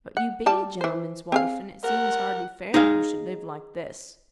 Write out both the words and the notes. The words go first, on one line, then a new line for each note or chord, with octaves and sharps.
"But you BE a gentleman's wife; and it seems hardly fair that you should live like this!"
F#5
G3 D5 A5
E3 C5
C4 G#4 F5
A#4 F#5
D#4 G#4 F5